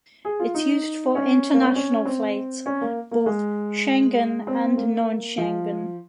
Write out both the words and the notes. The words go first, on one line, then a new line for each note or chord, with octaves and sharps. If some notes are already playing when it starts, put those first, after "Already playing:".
It’s used for international flights, both Schengen and non-Schengen.
G#4
F4
D#4
C#4
A#3
C4
C#4
C4
C#4
A#3
A#3
G#3
C4
A#3
F3